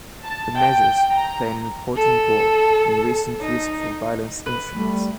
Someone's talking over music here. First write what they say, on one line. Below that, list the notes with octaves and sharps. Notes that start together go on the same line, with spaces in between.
The measures play an important role in recent risk-for-violence instruments.
A5
G5
A#5
A4
D#4
B4
G3 A3